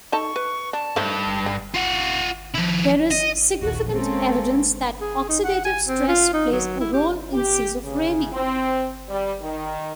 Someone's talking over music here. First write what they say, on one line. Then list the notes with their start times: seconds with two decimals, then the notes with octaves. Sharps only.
There is significant evidence that oxidative stress plays a role in schizophrenia.
0.12 D#4 A4 A5 C#6
0.36 B4
0.73 D4 A5
0.96 G2 D#3 A3 C5
1.46 D3
1.75 F4 F#5
2.54 F3 E4
3.11 D#5
3.60 A#1 D#2 F#4
3.90 G#3 A#3 C4 C#4 A4
5.01 G#4
5.29 D#4
5.44 F#5
5.65 G#5
5.87 C4
6.08 F4
6.33 D#4
6.52 F#3
6.80 E4
6.93 G4
7.33 G4
7.83 C#3
8.31 C4
9.09 G3
9.41 D#3